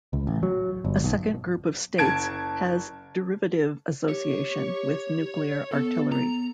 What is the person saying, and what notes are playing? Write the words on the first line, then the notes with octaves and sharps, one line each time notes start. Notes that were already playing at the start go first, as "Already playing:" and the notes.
A second group of states has derivative association with nuclear artillery.
C#2
A1
F#3
G1
B1
F#1 A5 G#6 D7
G4 C#5
B3 A4
B3 A#5